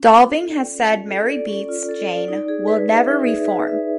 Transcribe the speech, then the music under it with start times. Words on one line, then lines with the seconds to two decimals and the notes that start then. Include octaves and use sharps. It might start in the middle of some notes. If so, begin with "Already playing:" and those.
Dolving has said Mary Beats Jane will never re-form.
Already playing: C#4
0.10 F4
0.30 A4
0.49 D5
0.69 C#4
0.89 F4
1.09 A4
1.29 D5
1.49 C#4
1.69 F4
1.89 A4
2.08 D5
2.28 D#4
2.48 G#4
2.68 B4
2.88 E5
3.08 D#4
3.27 G#4
3.47 B4
3.68 E5